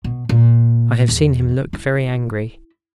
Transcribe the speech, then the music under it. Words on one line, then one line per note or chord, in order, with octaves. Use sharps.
I have seen him look very angry.
B2
A#2
E2
E4